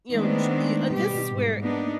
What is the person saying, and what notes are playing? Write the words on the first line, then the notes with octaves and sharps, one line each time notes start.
you know, t and this is where,
D#3 G#3 A3 B3 C4 D4
B2 G3 G4
G#2
A#3 B3 D4 D#4